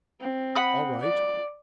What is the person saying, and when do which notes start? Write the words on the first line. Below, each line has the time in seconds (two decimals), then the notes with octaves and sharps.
'All right.
0.20 C4
0.55 F#5 B5 D#6
1.01 D5